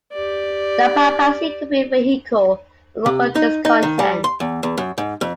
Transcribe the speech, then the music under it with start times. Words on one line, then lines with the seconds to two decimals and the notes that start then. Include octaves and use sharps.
The Papacy could be a vehicle for local discontent.
0.12 G4 D5
3.06 C3
3.35 D#4
3.65 D#4
3.83 D#3
3.99 G3
4.24 C6
4.40 E2
4.63 E2
4.77 F#2
4.98 G#2
5.21 F2